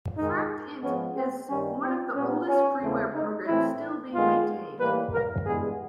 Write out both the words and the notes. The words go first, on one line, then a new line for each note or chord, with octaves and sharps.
FractInt is one of the oldest freeware programs still being maintained.
G#2 D#3 G#3 D#4
G#2 F3 G#3 B3 C#4
C4
G2 D#3 G3 C#4
C4
A#2 G3 B3 C#4
C#4
E2 C#3 E3 A3 C4
D#4
A2 E3 A3 C4 E4
G2 D#3 G#3 B3 F4
A2 E3 G3 A#3 B4
A#4
G2 E3 G#3 B3 G#4